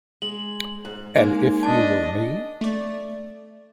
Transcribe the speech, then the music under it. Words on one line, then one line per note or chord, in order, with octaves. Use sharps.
And if you were me?
G#3 F#7
G#2
G#3 A#3 D#4
D4 D#5 A5
A3 D5